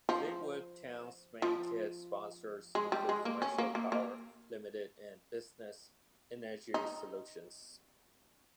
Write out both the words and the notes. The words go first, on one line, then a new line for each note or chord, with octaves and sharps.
Fleetwood Town's main kit sponsors include Commercial Power Limited and Business Energy Solutions.
F3
F3
G#3
G3
G#3
A#3
C#4
A#3
A#3
A#3
D#4